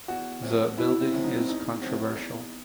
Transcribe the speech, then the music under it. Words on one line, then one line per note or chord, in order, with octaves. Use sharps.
The building is controversial.
E2 F#4
C3 F#3 A3
E2 E4
C4
C3 F#3 A3
D#4
C4
E2 D#4
C3 F#3 A3
E2